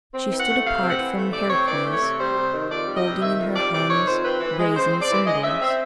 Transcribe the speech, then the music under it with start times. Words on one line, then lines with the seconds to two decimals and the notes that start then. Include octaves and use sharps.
She stood apart from Heracles, holding in her hands brazen cymbals.
0.12 C4
0.30 E3
0.39 F#5
0.48 A3
0.64 C3 F5
0.82 C4
0.90 F#5
0.98 E3
1.15 A3
1.32 C3 D5
1.49 C4 C#5
1.67 E3 D5
1.84 A3
1.92 C#5
2.01 C3
2.18 G3 C5
2.35 C3
2.53 D#3
2.70 F2 D5
2.87 G3
2.96 D#5
3.04 C3
3.20 D#3 E5
3.38 F2
3.55 G3 D5
3.73 C3 D5
3.89 D#3 C#5
4.06 F2 C5
4.23 C4 B4
4.40 E3
4.58 G#3
4.75 C#3 C5
4.92 C4
5.01 D5
5.09 E3
5.26 G#3 D#5
5.43 C#3 E5
5.60 C4 E5